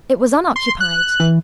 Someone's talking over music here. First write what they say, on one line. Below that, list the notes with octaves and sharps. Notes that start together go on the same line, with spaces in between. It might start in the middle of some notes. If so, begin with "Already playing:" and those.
It was unoccupied.
C6
F#6
E3